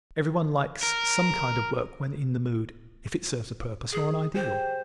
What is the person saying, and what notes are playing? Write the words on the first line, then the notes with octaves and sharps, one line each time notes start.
Everyone likes some kind of work when in the mood if it serves a purpose or an ideal.
A#4
G#4
G4 G#4 C5